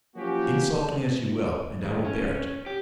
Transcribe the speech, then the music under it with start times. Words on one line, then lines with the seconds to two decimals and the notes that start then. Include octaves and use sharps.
Insult me as you will, and I will bear it.
0.16 F3 F#3 A#3 C#4 F#4 G4
1.83 D#2
2.04 C#4
2.66 G4